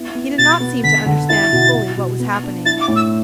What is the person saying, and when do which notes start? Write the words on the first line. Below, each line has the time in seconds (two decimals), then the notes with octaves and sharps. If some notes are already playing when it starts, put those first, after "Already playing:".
He did not seem to understand fully what was happening.
Already playing: B3 E4
0.15 B3
0.38 B2 A6
0.60 B3
0.83 D3 B6
1.06 D3
1.29 E4 A6
1.53 B2
1.75 B2
1.97 B2
2.20 B3
2.43 D4
2.65 E4 A6
2.81 D6
2.88 A2
2.96 E6